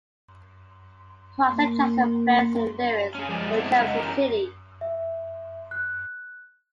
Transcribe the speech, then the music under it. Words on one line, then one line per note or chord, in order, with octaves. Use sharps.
Price and Jackson fled Saint Louis for Jefferson City.
A#3
C#4 G#4
F3 G#3 G#4 D5
G#3 B3 C4 D4 E4
C#3 G#3 D#5 F#5
E2 F3 C#4 G4 A#4
E5
F#6